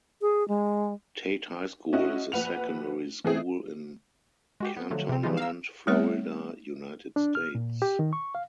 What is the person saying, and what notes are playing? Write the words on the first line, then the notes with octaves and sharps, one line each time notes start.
Tate High School is a secondary school in Cantonment, Florida, United States.
G#4
G#3
C#4 E4 F#4 D#5
A#1 B4 F#5 F7
E3 A3 C4 G#4
G#3 F#4 G4
B3
D3 F3 F#3 A3
C3 C4
E3 F3 G3 G#3 D#4 F4
F5 A#5 E6
G3 A3 B3 C4 C#5
D4
F6
A#2
G4
D#3
C#6
F5